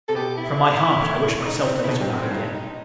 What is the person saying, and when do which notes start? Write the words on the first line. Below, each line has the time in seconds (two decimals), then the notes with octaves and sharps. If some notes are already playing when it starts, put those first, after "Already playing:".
From my heart, I wish myself the little man again!
0.08 C3 A4
0.15 B2 G4
0.37 E4
1.02 A2
1.46 D#4
1.60 C4
1.74 C4
1.83 E4
1.88 B2 D#4
2.00 G2 C4
2.09 F#2
2.17 C4
2.23 A2
2.31 G2 D#4
2.53 D#4